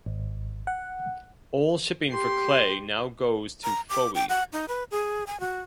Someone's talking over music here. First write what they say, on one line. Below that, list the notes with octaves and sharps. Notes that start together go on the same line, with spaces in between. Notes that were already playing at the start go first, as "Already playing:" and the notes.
All shipping for clay now goes to Fowey.
G#1
F#5
G4 C6
A#5
D6
G5
F#5
D#4
B4
G#4
G#5
F#4